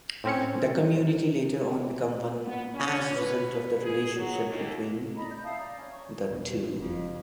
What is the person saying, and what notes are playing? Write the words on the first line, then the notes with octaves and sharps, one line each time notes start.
The community later on become one as result of the relationship between the two.
A2 C4 C#4 C#7
B3
C#4
B4
G#4
F#3
D#2
D5 D#5 A#5 B5
G6
E5 F5 A5 D#6
D5 A#5
C#4
C#5 C#6
E2 B2 F#3
F#1 F2